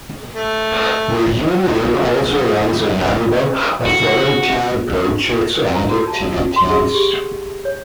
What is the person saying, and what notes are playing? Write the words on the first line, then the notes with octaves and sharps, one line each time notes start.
The Union also runs a number of volunteering projects and activities.
A3
F#2 G#4
F2 C3
C#3 E3 F#4 A4
A#5
F#4
A5
C6
G#4
G4
F#5
C#5